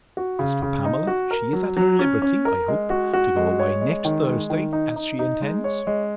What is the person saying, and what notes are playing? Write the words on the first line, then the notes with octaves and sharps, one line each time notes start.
As for Pamela, she is at her liberty, I hope, to go away next Thursday, as she intends?
F#4
C#3
C#3
D#4
F#4
A#4
F#3
F#3
C#4
C#4
A#4
G#3
F#4
F#4
G#3
C#5
G#3
D#3
G#3
D#3
D#4
D#4
D#4
G#3
C#5
G#3